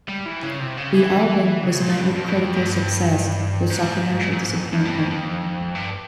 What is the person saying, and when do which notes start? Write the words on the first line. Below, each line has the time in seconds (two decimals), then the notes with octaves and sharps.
The album was met with critical success but saw commercial disappointment.
0.08 G3
0.25 E3
0.43 C#3
0.60 C3
0.77 C#3
0.94 E3
1.63 C#3
1.81 A#2
1.97 G2
2.15 F2
2.28 G2
2.41 F2
2.53 G2
3.70 G#2
4.21 A#2
4.32 A#2
4.38 G#2
4.55 F2
4.72 F2
4.85 G2
4.98 F2
5.11 F2
5.75 G2